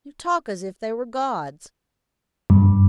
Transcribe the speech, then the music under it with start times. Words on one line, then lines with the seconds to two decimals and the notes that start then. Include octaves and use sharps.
You talk as if they were gods.'
2.50 G2